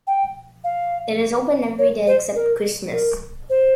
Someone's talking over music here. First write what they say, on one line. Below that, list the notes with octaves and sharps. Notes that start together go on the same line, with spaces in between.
It is open every day except Christmas.
G5
F5
C#5
C5
A#4
A#4
C5